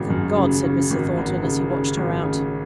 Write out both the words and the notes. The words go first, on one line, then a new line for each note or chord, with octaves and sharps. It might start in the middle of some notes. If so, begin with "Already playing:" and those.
'Thank God!' said Mr. Thornton, as he watched her out.
Already playing: G#1 F#2 C#3
F#2
C#3
C#3
G#1
G#1
C#3
C#3
G#1
C#3